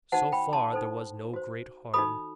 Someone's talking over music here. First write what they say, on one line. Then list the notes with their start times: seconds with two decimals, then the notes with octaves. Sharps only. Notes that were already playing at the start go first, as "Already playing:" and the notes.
So far there was no great harm.
0.12 D#4 F#4 C5 F#5 A5
0.32 G5 B5
0.53 A5 C6
0.73 D#4 A4 C5
1.34 F#4 C5
1.94 D#4 F#4 A4 B5 D#6